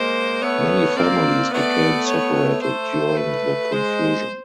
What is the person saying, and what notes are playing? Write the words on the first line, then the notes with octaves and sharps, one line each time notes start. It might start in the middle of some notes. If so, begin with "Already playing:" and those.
Many families became separated during the confusion.
Already playing: G#3 A#3 C5
A3 B3 C#5
A#3 C4 D5
A3 B3 D5
C#5
A3 C5
B4
G#3 C5